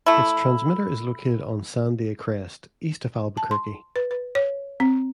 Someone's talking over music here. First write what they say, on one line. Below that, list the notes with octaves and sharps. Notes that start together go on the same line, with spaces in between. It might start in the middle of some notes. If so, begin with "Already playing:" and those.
Its transmitter is located on Sandia Crest, east of Albuquerque.
A3 E4
A5
C6
B4
B4
C#5
C4